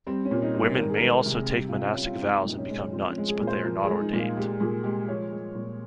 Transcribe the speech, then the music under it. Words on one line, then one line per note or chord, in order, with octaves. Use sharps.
Women may also take monastic vows and become nuns, but they are not ordained.
G3 C4
C#4
A#2
D#4
G3
A#4
D#3 A#4
G#4
A#4
G#3
G#4
C3
G#4
G3 G4
F4
C3
C#4
G3
F4
G#3 D#4
A#2
C#4
G#3
F3 C4
C#4
G#3
G#4
A#2
C5
F3 A#4
G#4
G#3
D#4
A#2
F4
G#3 G4
A#2 G#4
G#3 G4
F3 C#5
G#3
A#2